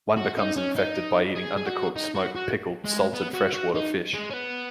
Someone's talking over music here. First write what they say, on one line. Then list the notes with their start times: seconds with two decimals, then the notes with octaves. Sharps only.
One becomes infected by eating undercooked, smoked, pickled salted freshwater fish.
0.17 F#4
0.37 D#4
0.56 C#4
0.76 D#4
1.35 G#4
1.56 G#4
1.66 F#4
1.96 D#4
2.15 F#4
2.35 F#4
2.85 G#3
3.14 B3
3.34 F#4
3.54 F#4
3.75 D#4
4.14 G#3
4.30 C#4
4.33 B3